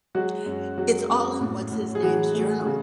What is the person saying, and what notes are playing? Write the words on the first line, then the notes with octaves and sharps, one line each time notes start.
It's all in what's-his-name's journal.
F#3 G#3 F#4
F#2
F#3 G#3 F#4
F#2
A2
A2
G#4
E3 F#3 F#4
A3
C#3